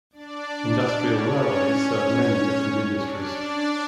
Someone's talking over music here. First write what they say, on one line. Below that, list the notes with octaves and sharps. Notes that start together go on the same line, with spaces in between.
Industrial railways serve many different industries.
D4 D5
D4 D5
C#4 C#5
C#4 C#5
D4 D5